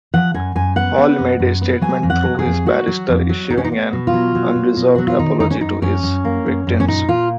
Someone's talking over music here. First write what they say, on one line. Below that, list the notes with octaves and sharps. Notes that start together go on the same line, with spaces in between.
Hall made a statement through his barrister, issuing an "unreserved apology" to his victims.
F3 F#5
F#2 G#5
F#2 G#5
B3 F#5
B3
F#2
F#2
B3
F#3 G#5
F2
F#5
F#3
G#4
F2
A#3 F#4
F#3
F2
F#3
B3 D#4
C#4
D#4
B3
B2
F4
F#3
F#3
B2
B2
F#3 F#4
F4
D#3 D#4
F#2 D#4
C#4
F#2 D#4
F#2 C#4
F#2
A#3
F#2
F#2
C#4
A#2 D#4
A#2 F4